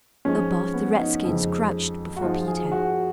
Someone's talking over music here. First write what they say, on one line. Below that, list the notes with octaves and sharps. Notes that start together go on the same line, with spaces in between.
Above, the redskins crouched before Peter.
G#2 F3 G#3 C#4
B3
D#4
F2 C#3 G#3
F#4
G#2 F3 G#3 F4
G#4
F#4